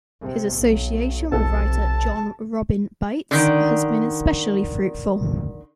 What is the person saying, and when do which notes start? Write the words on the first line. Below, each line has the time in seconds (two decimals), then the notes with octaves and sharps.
His association with writer Jon Robin Baitz has been especially fruitful.
0.21 C3
0.56 B1 F#3
1.32 F1 B1 C3 A4 A5
3.31 D3 D#3